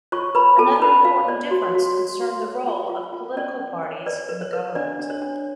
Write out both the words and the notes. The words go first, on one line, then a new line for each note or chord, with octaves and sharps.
Another important difference concerned the role of political parties in the government.
F4 C#5 C#6
B4 B5
F4 A4 A5
A5
B4 B5
F4 F5
C#5 D5
F#4
C#5
F#4
F#4
F#4
C#5
F4
F4
F4
C#4 D5
C#4
C#5
B4 D5
B4
C#5
B4
D4 D5
D4
C#5
D4